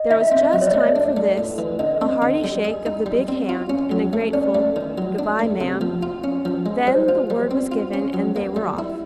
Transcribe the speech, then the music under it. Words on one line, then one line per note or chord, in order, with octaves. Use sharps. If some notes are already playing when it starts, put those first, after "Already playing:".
There was just time for this, a hearty shake of the big hand, and a grateful "Good-by, ma'am;" then the word was given, and they were off.
Already playing: D#5
D#4 E5
C4
D#5
F#3
C#5
D5
A3
D4 D5
A3
A2
E3
D3 D#5
C4
D3
G3
G#4
D#4
G3
C4
F4
C#4
F#3
A3
C#4 D5
A3
D#3
F#3
D4
A3
C3
F3
F4
C#4
F3
G#3
G3 C5
F4
G3
C4
F4
C#4
F#3
A#3
G3
E4